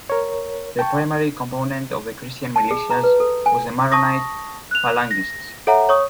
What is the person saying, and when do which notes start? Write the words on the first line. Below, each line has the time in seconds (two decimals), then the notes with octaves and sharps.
The primary component of the Christian militias was the Maronite Phalangists.
0.10 A#4 C#5
0.79 G5 A5 C#6
2.56 A5
2.71 G#4
2.90 A#5
3.04 B4
3.20 A4
3.46 G#5
3.92 A5 C#6 D#6 A#6
4.71 F#6 F7
5.11 A#6
5.67 A4 C#5 E5 F#5 A#5
5.89 C#5 C#6 D#6